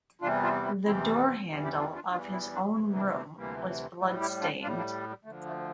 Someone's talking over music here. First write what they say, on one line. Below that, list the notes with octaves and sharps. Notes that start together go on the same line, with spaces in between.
The door-handle of his own room was blood-stained.
E2 C3 E3 G3 D4 F4
D4 F4
C4 E4
E2 C3 E3 G3 C4 E4
A3
G3
E2 E3 G3 A#3
E4 G4
D4 F4
D4 F4
E2 E3 G3 D4 F4
C4 E4
A#3 D4
D2 C3 E3 C4 E4
A#3 D4
A3 C4
D2 C3 E3 G3 A#3
A2 G3 A3
E4 G4
D4 F4
A2 G3 D4 F4
A#3 D4
G3
D2 D3 F3 A3
A3